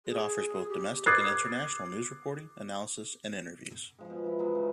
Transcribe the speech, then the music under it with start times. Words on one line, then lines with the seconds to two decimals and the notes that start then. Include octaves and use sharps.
It offers both domestic and international news reporting, analysis, and interviews.
0.06 G#4
0.69 G4
1.06 D6 D#6 F#6 G#6 A6 C7
3.99 F3 G#3
4.10 B2
4.24 F3 E4
4.39 E3 F#3 G#3 B3
4.55 C#3